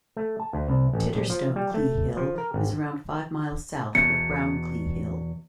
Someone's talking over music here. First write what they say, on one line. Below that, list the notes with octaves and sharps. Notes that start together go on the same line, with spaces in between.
Titterstone Clee Hill is around five miles south of Brown Clee Hill.
A3
A5
D2
C2
A1
A#1
F3
G3
A3
F3
A#4
G#1
E2 B2 C#7